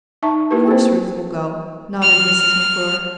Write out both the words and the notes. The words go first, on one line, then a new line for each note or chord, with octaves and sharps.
"Of course Ruth will go," nodded Mrs. McClure.
D#4 E5 A5 C#6
A#3 E4 G4 A#4 B4
A#3 C4 C5
F6